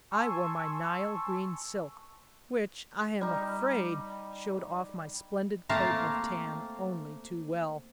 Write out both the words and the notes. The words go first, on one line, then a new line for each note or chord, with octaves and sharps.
I wore my nile-green silk, which I am afraid showed off my splendid coat of tan only too well.
G#5 A5 C6 C#6 E6
G3 D#4
A3 A#3 C4 F5 A5